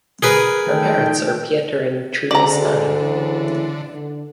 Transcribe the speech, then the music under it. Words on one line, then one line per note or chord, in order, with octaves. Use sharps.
Her parents are Pieter and Trudie Steyn.
G#4 A#4 B4
D#3 A3 G5
D2 D3 F#4 G#4 A4 D5 A#5
C#3 E3 E4
D3